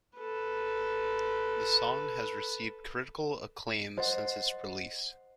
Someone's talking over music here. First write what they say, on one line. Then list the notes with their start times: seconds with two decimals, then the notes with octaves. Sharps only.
The song has received critical acclaim since its release.
0.18 A4 B4
3.97 C5 D#5 F#5